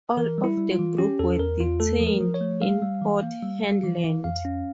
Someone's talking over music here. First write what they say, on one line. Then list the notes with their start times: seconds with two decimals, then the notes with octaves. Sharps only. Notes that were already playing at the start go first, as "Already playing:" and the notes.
All of the group were detained in Port Hedland.
0.17 E3 A#4
0.38 G3
0.44 E4
0.58 G3
0.71 F4
0.79 E3
0.98 C#4 G4
1.19 E2 A4
1.39 E2 A#4
1.60 E2 F4
1.80 A3 A4
2.00 F3
2.07 A#4
2.21 F3
2.34 C#5
2.41 A3
2.62 G3 F5
2.82 G3
3.02 E3
3.22 A#3
3.43 G3
3.64 G3
3.84 E3
4.04 E3
4.24 F2 F5
4.45 C#4